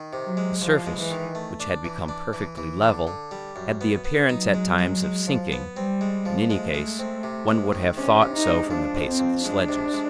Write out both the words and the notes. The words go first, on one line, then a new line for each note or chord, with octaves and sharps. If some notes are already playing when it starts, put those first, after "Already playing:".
The surface, which had become perfectly level, had the appearance at times of sinking; in any case, one would have thought so from the pace of the sledges.
Already playing: D#3
C3
F#3
G#3
C2 F3
G#3
E3
D#3
A3
D4
E3
D4
E3
E3
D3
D3
G3
F#2
B3
B3
F#3 D#4
G#3
G#3
G#3
F3
B3
G3 C4
G#3
F3
G#3 A3
G#3
C4
C3
G#3
D#3
C3 C#4
C3
D#4
G#3
F3 D4
F2
C4
F2
G#3 D4
C3
G#3